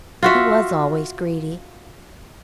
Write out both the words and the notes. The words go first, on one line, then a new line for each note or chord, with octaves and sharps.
He was always greedy.
F4 F#4 E5